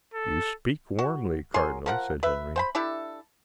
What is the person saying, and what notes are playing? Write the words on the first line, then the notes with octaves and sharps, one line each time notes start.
"You speak warmly, cardinal," said Henry.
A4
F#4
F#3 G#4 A#4 C6
F3 A#4 F#5
B4 E5
C5 G5 B5
D4 E4 G4 A4